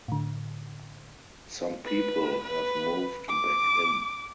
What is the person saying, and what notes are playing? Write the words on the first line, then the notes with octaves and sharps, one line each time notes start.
Some people have moved back in.
A2 D3
B4
B4
D6